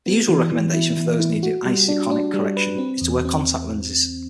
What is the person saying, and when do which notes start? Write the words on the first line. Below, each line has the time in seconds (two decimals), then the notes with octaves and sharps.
The usual recommendation for those needing iseikonic correction is to wear contact lenses.
0.06 B3
0.28 E3
0.52 E3
0.73 E4
0.97 E3
1.20 E4
1.43 F#4
1.66 G3
1.88 D4
2.11 D4
2.34 G3
2.57 B4
2.78 C4
3.01 E2
3.25 C4